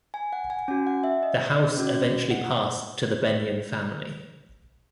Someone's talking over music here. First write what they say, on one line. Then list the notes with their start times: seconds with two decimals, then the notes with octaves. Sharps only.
The house eventually passed to the Benyon family.
0.14 G#5
0.33 F#5
0.50 G#5
0.68 C#4 F#4 G#5
0.87 F#5
1.04 E5
1.23 D#5
1.76 C#4 F#4
2.31 F#5